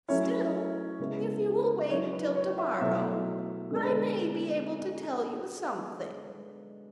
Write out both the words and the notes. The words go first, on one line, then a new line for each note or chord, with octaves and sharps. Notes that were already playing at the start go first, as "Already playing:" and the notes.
Still, if you will wait till to-morrow I may be able to tell you something.'
F#3 A3 C#4 E4 C#5
C#3 G#3 B3 E4
F#3 C#4 E4 C#5
B4
C#5
E5
B2 F#3 A3 E4 E5
D3 G#3 B3 D4